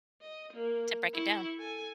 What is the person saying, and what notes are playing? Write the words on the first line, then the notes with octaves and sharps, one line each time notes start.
To break it down.
D#5
A#3
E4 C#6
A4 G#5